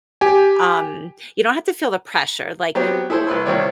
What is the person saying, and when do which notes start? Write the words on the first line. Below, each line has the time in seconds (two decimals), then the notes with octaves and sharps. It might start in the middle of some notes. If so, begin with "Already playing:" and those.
um you don't have to feel the pressure. Like,
0.21 G4 G#5
2.75 F#3 B3 C4 G4
3.10 E4 G#4 A4 C5 C#5
3.27 C2 B4 C6 E6
3.46 C2 D#3 C4 C#5 D5